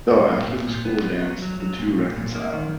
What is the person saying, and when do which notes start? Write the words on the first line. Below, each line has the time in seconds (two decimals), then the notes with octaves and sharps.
Though after the school dance the two reconciled.
0.10 A#2
0.29 A#2
0.48 A#2
0.67 A#2
0.85 B3
1.04 B3
1.23 F#3
1.42 F#3
1.60 F#3
1.78 A#2
1.98 A#2
2.17 A#2
2.35 A#3
2.53 D#3